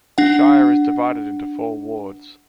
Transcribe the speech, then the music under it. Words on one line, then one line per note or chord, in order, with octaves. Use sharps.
The shire is divided into four wards.
D4 F#5